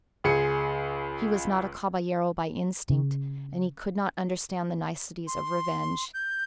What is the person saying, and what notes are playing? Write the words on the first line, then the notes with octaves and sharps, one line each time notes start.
He was not a /caballero/ by instinct, and he could not understand the niceties of revenge.
C#2 G#4 C#7
C#3
C6
G6